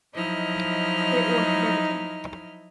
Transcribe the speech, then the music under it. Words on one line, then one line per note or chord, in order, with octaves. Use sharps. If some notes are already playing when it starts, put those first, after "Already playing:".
It was riveting.
F3 F#3 D#4 E4 D#5 F6